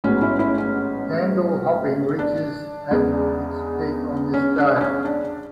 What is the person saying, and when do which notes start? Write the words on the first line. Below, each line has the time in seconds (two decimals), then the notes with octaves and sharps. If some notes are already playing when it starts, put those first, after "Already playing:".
Pandal hopping reaches at its peak on this day.
0.04 A1 G#2 F#3 B3 C#4
0.21 C#4 E4
0.39 C#4 E4
0.58 C#4
2.19 D4
2.91 E2 C#3 G#3 B3
4.34 C#4
4.58 D4
4.81 C#4
5.05 D4